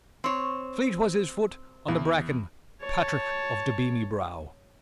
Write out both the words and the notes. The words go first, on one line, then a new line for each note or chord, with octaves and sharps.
Fleet was his foot on the bracken: Patrick of the beamy brow.
C4 C#5
E2
C#5 A5